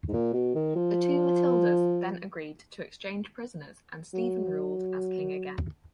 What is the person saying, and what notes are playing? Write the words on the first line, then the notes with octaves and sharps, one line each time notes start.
The two Matildas then agreed to exchange prisoners and Stephen ruled as king again.
G#2
A#2
B2
D#3
F3
F#3